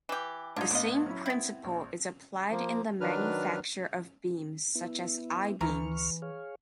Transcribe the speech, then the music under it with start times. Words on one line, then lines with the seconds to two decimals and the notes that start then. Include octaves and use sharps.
The same principle is applied in the manufacture of beams such as I-beams.
0.09 E3 G4
0.56 G#2 D4 D#4 F4 G#6
0.71 A1 D3 B3 D#5 F5
1.06 F#3 C#4 E4
1.26 B3 C4 E4
1.64 A#1
2.51 F3 A#3
3.01 D#3 F#3 D4 B4 F6
4.75 B3 E4
5.61 D2 E3 A#5 C#6 F6
6.22 G#4 C#5 F5